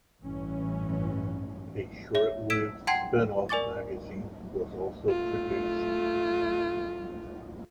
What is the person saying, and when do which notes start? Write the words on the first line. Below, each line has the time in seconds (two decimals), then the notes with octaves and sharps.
A short-lived spin-off magazine was also produced.
0.22 A1 G2 E3 C#4
2.15 C#5 E5
2.50 E6 G#6 B6 D7 E7
2.87 F#5 G5 A5 C6 G#6 C7
3.49 A#4 D5 G#5 C#6 D6 A6
5.04 A3 F4